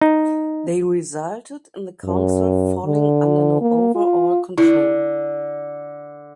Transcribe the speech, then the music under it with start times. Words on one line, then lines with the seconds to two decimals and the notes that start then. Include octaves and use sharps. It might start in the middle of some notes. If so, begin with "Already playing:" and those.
They resulted in the council falling under no overall control.
0.01 D#4
2.04 F#2
2.85 D3
3.61 A#3
3.95 F4
4.58 D3 E4